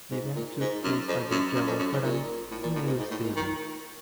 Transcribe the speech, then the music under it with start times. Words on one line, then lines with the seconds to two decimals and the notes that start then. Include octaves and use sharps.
The event took place at the Jawaharlal Nehru Stadium.
0.11 G#2
0.35 A#2
0.60 G#2
0.84 F#2
1.08 F2
1.31 F#2
1.55 F#2
1.67 F2
1.79 F#2
1.92 G#2
2.04 A#2
2.51 A2
2.63 A#2
2.76 A2
2.87 G#2
3.00 G#2
3.11 A2
3.24 A#2
3.36 D#3